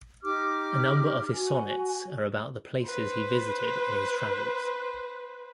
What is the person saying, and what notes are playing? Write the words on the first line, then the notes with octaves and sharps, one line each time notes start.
A number of his sonnets are about the places he visited in his travels.
D#4 G4 D6 F6
F#4 G#5
B4 C5